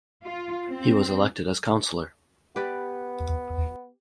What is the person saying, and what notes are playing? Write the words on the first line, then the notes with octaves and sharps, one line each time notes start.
He was elected as councilor.
F4
C4
B3 G4 B4 D5